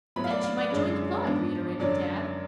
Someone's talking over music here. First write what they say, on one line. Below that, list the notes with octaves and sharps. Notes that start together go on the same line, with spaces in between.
"I said she might join the club," reiterated Tad.
A2 F#3 B3 B5
F5
D5
F5
D5
F#2 D3 G#3 C#4
G#2 F3 B3 D4
F#2 D3 F#3 C#4 D5